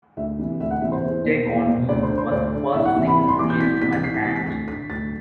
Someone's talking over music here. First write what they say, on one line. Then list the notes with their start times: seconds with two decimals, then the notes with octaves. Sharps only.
"Take On Me" was the first single released by the band.
0.17 D2 E5
0.38 C3 E3
0.60 D2 E5
0.70 F#5
0.81 C3 E3 E5
0.92 C5
1.03 E2
1.24 B2
1.46 E2
1.67 B2
1.89 D2 D5
2.03 C5
2.10 D3
2.18 C5
2.31 D2 D5
2.54 D3
2.74 C2 E5
2.85 F#5
2.96 C3 E3 E5
3.07 B5
3.18 C2 B5
3.28 C6
3.39 C3 E3 D6
3.50 G6
3.60 C2 B6
3.82 C3 E3 B6
3.93 B6
4.04 C2 C7
4.14 B6
4.25 C3 E3 A6
4.36 B6
4.46 D2 B6
4.68 D3 B6
4.89 D2 A6